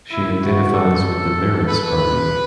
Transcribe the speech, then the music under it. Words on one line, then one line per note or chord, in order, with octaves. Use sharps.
She identifies with the Meretz party.
E4
F#4
A4
B4